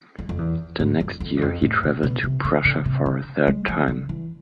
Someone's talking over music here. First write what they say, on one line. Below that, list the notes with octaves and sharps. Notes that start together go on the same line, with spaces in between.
The next year he travelled to Prussia for a third time.
F2
F2
E2
G#2
F2
F2
E2
F2
A2
B2
B2
C3
D3
D3
C3
D3
G#3
F3
D3
E3